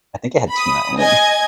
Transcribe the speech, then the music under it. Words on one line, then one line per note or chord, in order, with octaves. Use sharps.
I think it had tuna in it.
B5 D#6
D#5 G#5 G#6